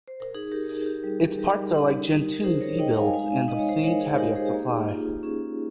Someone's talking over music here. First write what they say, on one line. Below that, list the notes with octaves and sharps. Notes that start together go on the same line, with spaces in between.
Its ports are like Gentoo's ebuilds, and the same caveats apply.
C5
A#4
D#4 G#4
G4 A#4
A#4
D#4 G#4
G4
G3
G3 G4 A#4
D#4
D#4
A#4
D#4 G#4 C5
A#4 C#5
D#4 D#5 G5
F5 G#5
G#3 F5 G#5
D#4 D#5
C#5
C5 D#5
D#4 A#4 C#5
G#4 C5
D#4 G4 A#4
G#4 C5
G4
A#3 G#4
F4
C#4 G#4